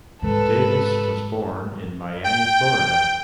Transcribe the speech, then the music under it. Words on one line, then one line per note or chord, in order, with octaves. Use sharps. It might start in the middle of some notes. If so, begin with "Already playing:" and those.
Davis was born in Miami, Florida.
G#2 D#3 A4 B4
G5